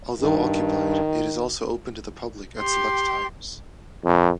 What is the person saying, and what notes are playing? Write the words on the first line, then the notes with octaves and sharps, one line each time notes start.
Although occupied, it is also open to the public at select times.
G2 D#3
G4 C6
F2